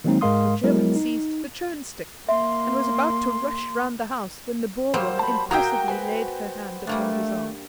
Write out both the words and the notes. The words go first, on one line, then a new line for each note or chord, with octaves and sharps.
The German seized the churn-stick, and was about to rush round the house, when the Boer-woman impressively laid her hand upon his arm.
D#3 F#3 G#3 A#3 C4 D#4
G#2 G#3 A#4 F5 C6 D#6
F#3 G#3 B3 E4 A#4
D#4
A#3 E5 C6
F#3 G3 A#3 C5
A5 B5
A#3 F#4 G#4 E5 G5 A#5 G6
B4 C5 G#5
G3 A3 A#3 D4